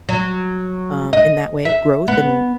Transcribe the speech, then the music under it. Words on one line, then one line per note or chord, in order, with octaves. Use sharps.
um, in that way, growth and
F#3
D#5
E5
B3